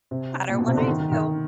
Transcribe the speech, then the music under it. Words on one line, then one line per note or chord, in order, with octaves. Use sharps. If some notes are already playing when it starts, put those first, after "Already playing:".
no matter what I do,”
C3
A#2
B2
C3
D3
D#3
D#3
D#3